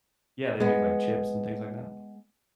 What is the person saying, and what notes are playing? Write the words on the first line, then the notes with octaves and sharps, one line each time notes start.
Yeah, they make, like, chips and things like that.
G#3 B3